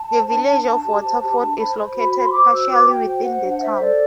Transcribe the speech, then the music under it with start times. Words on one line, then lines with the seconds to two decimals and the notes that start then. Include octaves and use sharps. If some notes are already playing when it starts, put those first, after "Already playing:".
The Village of Waterford is located partially within the town.
Already playing: A5
0.11 C5
0.30 D4
0.48 D4
0.67 D4
0.85 G4
1.03 C5
1.22 G4
1.40 D4
1.58 C5 B5
1.77 C5
1.95 F#4
2.14 C5
2.23 C6
2.32 C5 D6
2.50 F#4 E6
2.69 F#4 D6
2.87 F#4 G5
3.06 C5 G5
3.24 C5 F#5
3.42 D4
3.50 F#5
3.60 C5 E5
3.79 A4 D5